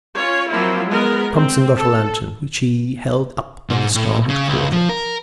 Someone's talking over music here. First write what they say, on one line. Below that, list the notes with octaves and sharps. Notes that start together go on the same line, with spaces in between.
Thompson got a lantern, which he held up on the starboard quarter.
C#4 F4 C#5
F3 F#3 A#3 C4 E4 F4
G#3 B3 A#4
C4
A4
G#2
A2
C#3
C#2
F3
A#4